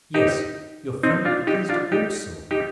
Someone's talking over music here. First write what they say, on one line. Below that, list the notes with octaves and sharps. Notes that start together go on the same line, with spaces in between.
"Yes--your friend at least hopes so."
D#4 G4
C4 D#4
D4 F4
D#4 G4
D4 F4
D#4 G4
D#4 G4